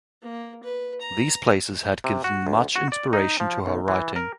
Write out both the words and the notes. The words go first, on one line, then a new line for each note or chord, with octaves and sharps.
These places had given much inspiration to her writing.
A#3
B4
A#5
C3
F#4
D2
F#4
D5
D#4
F3
B1
E3
A#4